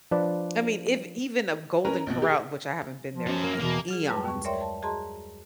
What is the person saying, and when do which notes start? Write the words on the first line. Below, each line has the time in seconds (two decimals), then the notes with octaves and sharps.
I mean, if even a Golden Corral- which I haven't been there in e eons-
0.11 F3 D4 B4 D5
1.85 C#4 A#4 B4 A#5
2.07 A#1 B2
2.22 G4 G#4
3.12 F3
3.27 F#3 C#4
3.43 A#3
3.60 E2 B2 A#3
3.88 F#3 F4 G#4
4.09 F#2 G3 G#3 B4 A5
4.25 D#2 C#6
4.45 A#4 C#5 D5 E5 G5 C6
4.61 A5
4.82 F#4 G#4 D#5 A5 A#5 C6